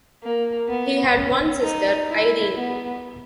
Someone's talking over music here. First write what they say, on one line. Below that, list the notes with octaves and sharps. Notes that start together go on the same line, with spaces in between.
He had one sister, Irene.
A#3
B3
C#4
D#4
E4
B3